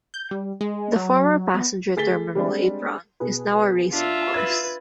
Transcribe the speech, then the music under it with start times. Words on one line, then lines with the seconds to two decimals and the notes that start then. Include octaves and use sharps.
The former passenger terminal apron is now a racing course.
0.14 G6
0.31 G3
0.61 G#3
0.96 F#3
1.54 B3
1.96 A3 G#4 A6 B6 G7
2.35 G3 G#3 C4 D4
3.20 B2 G#4 B4
3.92 D4 F4 E5
4.34 B4 G#6 A6